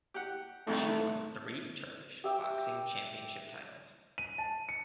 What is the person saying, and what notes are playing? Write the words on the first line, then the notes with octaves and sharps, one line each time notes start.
She won three Turkish Boxing Championship titles.
G4 F#5
C2 F2 G#2 A3
G4 E5 G5
D#7
A5
C#7